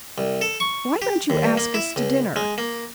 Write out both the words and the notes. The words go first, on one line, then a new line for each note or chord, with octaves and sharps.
Why don't you ask us to dinner?
C2
A4
C#6
G4
D#2
G2
A#3
E4
C#2
G#3
A#3